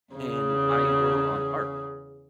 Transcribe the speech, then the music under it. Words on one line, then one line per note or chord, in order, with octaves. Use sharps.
And I work on art.
E2 C#3